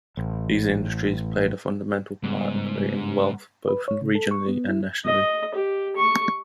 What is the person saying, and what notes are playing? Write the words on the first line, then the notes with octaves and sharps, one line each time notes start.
These industries played a fundamental part in creating wealth both regionally and nationally.
A1
G#2 C#3 G3 B3
B4
C#5
C#3
A4
C#6
B3
E4
D#5
G4
C#6